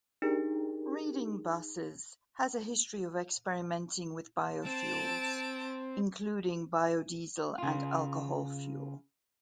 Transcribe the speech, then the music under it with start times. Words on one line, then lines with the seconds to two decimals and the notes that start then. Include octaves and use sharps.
Reading Buses has a history of experimenting with biofuels, including biodiesel and alcohol fuel.
0.22 D4 D#4 G4 G#4 A#4
4.66 C4 A5 D7
7.58 C#3 F4